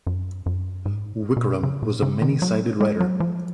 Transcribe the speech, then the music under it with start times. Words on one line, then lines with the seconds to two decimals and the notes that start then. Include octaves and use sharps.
Wickram was a many-sided writer.
0.07 F#2
0.46 F#2
0.86 G#2
1.37 B2
1.63 C#3
1.83 A#2
2.02 C#3
2.22 D#3
2.42 F#3
2.81 G#3
3.00 F#3
3.20 F3